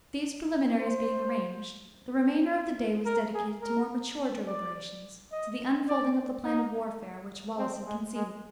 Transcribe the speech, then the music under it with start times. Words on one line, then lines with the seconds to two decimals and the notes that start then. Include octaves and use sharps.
These preliminaries being arranged, the remainder of the day was dedicated to more mature deliberations--to the unfolding of the plan of warfare which Wallace had conceived.
0.80 C5
3.06 A#4
3.34 G#4
3.62 A#4
4.47 D5
5.32 D#5
5.88 D5
6.44 D#4
7.58 C4
7.86 G#3
8.14 G#3